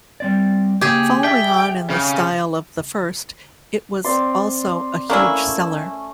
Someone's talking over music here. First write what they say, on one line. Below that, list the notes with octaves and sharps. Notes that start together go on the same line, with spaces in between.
Following on in the style of the first, it was also a huge seller.
G3 C4 D5
C#3 A#3 G4 G#4
D5 E5 G5
C#3
C4 D5 C6
A3 A#3 C#4 D4 E4